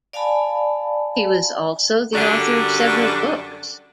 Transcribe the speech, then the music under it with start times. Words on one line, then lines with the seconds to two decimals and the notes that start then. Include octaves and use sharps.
He was also the author of several books.
0.13 D5 F5 G#5 A5 B5
2.14 F#2 D3 G3 D4